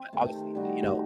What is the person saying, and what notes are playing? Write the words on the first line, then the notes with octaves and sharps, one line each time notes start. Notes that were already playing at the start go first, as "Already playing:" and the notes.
but obviously, you know,
Already playing: C4
C3 D#3 A3
G3 D#4 F#4